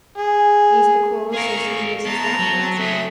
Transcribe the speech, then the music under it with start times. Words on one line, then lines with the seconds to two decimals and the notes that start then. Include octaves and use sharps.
"Is the quarrel so serious as that?" he asked.
0.18 G#4
1.33 G#4 A#4 F5 C#6
2.05 E2 A5 A#5
2.39 F#3
2.78 F#3 A3 G#4 E5